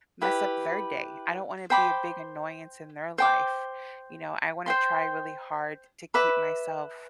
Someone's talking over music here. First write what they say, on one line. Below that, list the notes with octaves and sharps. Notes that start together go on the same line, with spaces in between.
mess up their day. I don't wanna be a big annoyance in their life, you know? I wanna try really hard to keep myself
E4 G4 B4
C5 G5 B5 D6
C5 G5 D6
C5 G5 C6
B4 E5 B5 D6